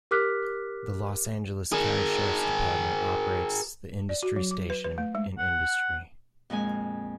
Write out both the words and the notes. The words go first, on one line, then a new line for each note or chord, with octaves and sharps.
The Los Angeles County Sheriff's Department operates the Industry Station in Industry.
G4 A#4 D6 F6 F#6 B6
G#4 A#4
D5
F#4
F#3
D6
B4
B4
A3
G#3
F#5
F2 A#2 G#3 G#5